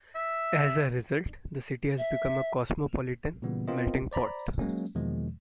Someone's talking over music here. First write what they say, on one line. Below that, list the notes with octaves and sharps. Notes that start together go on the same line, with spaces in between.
As a result, the city has become a cosmopolitan melting pot.
E5
E5
A#2 C#3 E3 G3 B3
B3 C4 F4 A#4 D#5
C5 D5 A#5 B5
F#3 G#3 A#3 C#4
E2 B2 D#3 F3 G#3 A#3